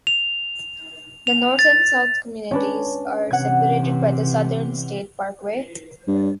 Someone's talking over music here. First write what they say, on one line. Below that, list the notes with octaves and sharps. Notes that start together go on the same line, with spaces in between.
The North and South communities are separated by the Southern State Parkway.
F7
F7
A6
C#4 D4 B4
C3 E3 F#5 G#6
G2